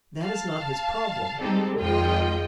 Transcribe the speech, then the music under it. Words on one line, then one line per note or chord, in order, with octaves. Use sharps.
That is not his problem.
F5 A5
G3 G#3 C4 D#4 G4 A4
G#1 F2 G#3 F4 D#5 G5